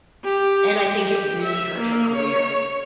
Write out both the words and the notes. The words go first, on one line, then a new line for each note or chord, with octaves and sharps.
And I think it really hurt her career.
G4
G4
E5
A#3
C#5